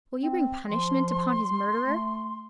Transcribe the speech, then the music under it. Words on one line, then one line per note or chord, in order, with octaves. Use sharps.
Will you bring punishment upon his murderer?
C4
F3 C6
A3